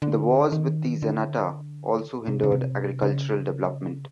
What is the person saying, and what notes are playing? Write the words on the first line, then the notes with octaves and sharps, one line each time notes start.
The wars with the Zenata also hindered agricultural development.
D3
D#3
D3
C3
C#3
C3
C#3